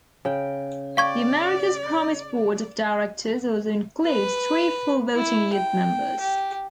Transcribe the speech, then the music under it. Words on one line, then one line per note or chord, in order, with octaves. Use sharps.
The America's Promise board of directors also includes three full voting youth members.
C#3 G5
D5 F5 G5 C#6 G#6
B4
E4
G5
G4